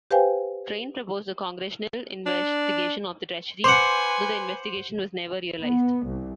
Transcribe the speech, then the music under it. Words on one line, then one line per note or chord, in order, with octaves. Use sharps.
Train proposed a Congressional investigation of the Treasury-though the investigation was never realized.
G4 B4 C5 F5 G5 G#5
D4
B4 C5 F#5 G#5 C6 D6
B3
C2